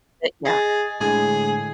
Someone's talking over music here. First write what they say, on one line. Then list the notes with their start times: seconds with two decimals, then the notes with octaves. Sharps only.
but yeah.
0.45 G#4 D#5 A6
1.00 A2 D3 G#3 G#4